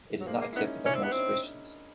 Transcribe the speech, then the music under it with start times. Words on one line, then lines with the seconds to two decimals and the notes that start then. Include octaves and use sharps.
It is not accepted by most Christians.
0.21 F#3
0.26 F3 G#3 A#3
0.42 A#3
0.53 E4
0.56 B3 C#4 D#4
0.86 C#4 D4 E4
0.95 C4
1.03 B3
1.12 C4 C#4 D#4